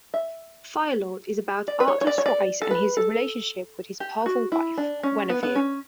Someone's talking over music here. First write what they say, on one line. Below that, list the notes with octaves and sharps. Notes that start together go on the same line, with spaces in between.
"Firelord" is about Arthur's rise and his relationship with his powerful wife, Guenevere.
E5
D5
B4
C#5
C#5
D5
C#5
D5
A4
B4
A4
G4
F#4
E4
D4
C#4
B3
B3
C#4